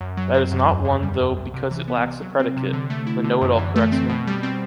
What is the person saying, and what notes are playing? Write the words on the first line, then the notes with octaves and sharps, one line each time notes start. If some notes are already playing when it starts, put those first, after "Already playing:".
That is not one though because it lacks the predicate, the know-it-all corrects me.
F#2
F#3
C4
F#2
E2
D3
G3
E2
C2
C3
E3
B3
C3
F#3
C4
C3
D3
A3
E4
D3
F#2
E3
A3
C4
B2
G3
C4